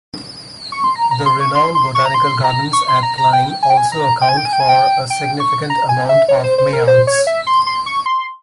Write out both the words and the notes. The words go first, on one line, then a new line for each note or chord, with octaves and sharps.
The renowned botanical gardens at Clyne also account for a significant amount of Mayals.
C#6
C6
A#5
A#5
C6
C#6
C6
C6
C#6
A#5
C6
A#5
C#6
C6
A#5
A#5
G5
G#5
G5
G#5
A#5
G5
G#5
G5
G#5
G5
G#5
G5
G5
C#6
A#5
G#5
E5
C#5
C5
C5
A#4
C5
C#5
E5
C6
C6
C#6
C6